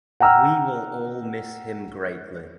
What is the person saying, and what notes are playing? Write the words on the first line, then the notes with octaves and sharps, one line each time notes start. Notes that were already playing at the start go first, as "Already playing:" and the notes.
We will all miss him greatly.
F#5 G5 A#5 E6 F6